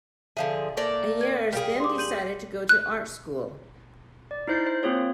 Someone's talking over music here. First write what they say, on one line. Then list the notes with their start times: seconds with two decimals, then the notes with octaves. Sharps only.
Ayres then decided to go to art school.
0.37 D3 F3 G#4 E5 F5
0.77 A3 A#3 D5
1.21 G#6
1.53 G3 G#4 A#4 F5 G5
1.80 C6 D6
1.98 G6 D#7 F#7
2.69 F#6
4.31 D5
4.48 D#4 E4 C5 G6 C7
4.67 C5
4.83 A#3 C4 F4 G#4 C#5